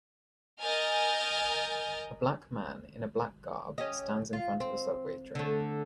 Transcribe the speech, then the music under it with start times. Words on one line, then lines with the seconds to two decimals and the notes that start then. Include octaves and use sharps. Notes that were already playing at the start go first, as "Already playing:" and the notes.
A black man in a black garb stands in front of a subway train.
0.61 A#4 D#5 G#5 F6 G6 A6
3.78 C#4 G4 D#5
4.33 F4
4.60 C4
5.35 D3 A3